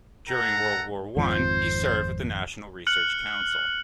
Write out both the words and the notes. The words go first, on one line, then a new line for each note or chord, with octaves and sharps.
During World War One, he served with the National Research Council.
A4 F#5 A#5
G#1 F2 F3 C5
F6 F#6 C#7 F#7